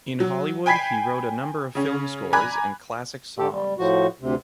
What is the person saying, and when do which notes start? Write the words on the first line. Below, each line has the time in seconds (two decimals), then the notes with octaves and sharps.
In Hollywood he wrote a number of film scores and classic songs.
0.20 F#3
0.66 G5 G#5 B5 G#6 B6 C7
1.75 C#3 C#4
2.33 G#5 A#5 B5 D6 F#6 G#6
3.39 D3 G4 A4
3.53 G3
3.78 A2 F3 F#4
4.20 D2 C3